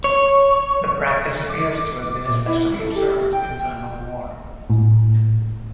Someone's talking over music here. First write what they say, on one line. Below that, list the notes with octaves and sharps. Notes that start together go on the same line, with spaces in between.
The practice appears to have been especially observed in time of war.
C#5
D6
A#2
E4
A4
G4
G5
A2